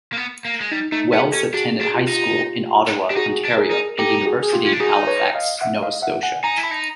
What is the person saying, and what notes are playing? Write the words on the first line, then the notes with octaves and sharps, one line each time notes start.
Wells attended high school in Ottawa, Ontario and university in Halifax, Nova Scotia.
A#3
B3
A#3
G#3
G3 D#4
A3 D#4
B3 F#4 G#4
G#4
C#4 G4 A4
D4 F#4 G#4
D4
G#4
F4 G4
D#4
D4 G4
D#4 F#4 G#4
D4
G#4 A#4
D#4
D#4 G4 A4
G4
F#4 G#4
G#4
F4 G4
C#4
D4
D#4 F#4 G#4
B4 C#5
D#5 F5
E5 F#5
D#5 F5
E5 F#5
F#5 G#5
D#4 G#5 A#5
E4
A5 B5
D#4